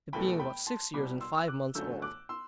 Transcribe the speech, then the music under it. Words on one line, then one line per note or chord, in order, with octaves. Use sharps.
It being about six years, and five months old.
F#1 E2 B2 A3 G5 B5
G5 B5
A5 C6
C2 B2 G3 B5 D6
C6 E6
E6
D6 F#6
G1 F#2 D3 F#3 A3 E6 G6
D6 F#6
C6 E6